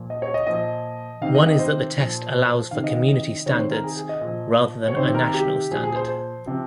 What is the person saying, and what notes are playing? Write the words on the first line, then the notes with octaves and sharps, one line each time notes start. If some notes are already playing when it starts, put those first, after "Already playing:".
One is that the test allows for community standards rather than a national standard.
Already playing: A#2 F3
D#5
C#5
D#5
A#2 F3 D#5
C3 D#3 F5
D#5
D#5
C5
A#2 F3
C5
C3 D#3 F5
D#5
D#5
D#5
C3 D#3 C#5
C5
A#4
G#4
G#4
D#5
A#2 F3
C#5
C3 D#3 C5
A#4
G4
A#2 F3 G#4
G#4
C5
C5
C3 F3